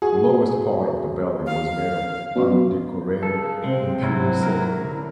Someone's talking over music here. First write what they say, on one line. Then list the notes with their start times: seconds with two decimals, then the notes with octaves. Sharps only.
The lowest part of the belly was made of undecorated impure silver.
0.02 F#4 G#4
1.46 F5
2.36 B2 F3 C#4 D4
3.23 C#3 A4
3.64 C3 G#3 C4
4.01 C#2 G#2 C3 F#3 E4
4.43 E4 A#4
4.78 D3